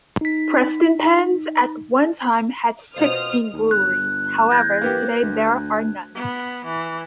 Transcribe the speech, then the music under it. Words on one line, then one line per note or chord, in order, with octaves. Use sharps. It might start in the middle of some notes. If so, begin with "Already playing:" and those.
Prestonpans at one time had sixteen breweries however, today there are none.
D#4 B6
B2 F4 C5 F5 D#6 F6
D#2
G1 F#6
E2 G6 G#6 A#6
A#3 B3 G4
D2
B3
E3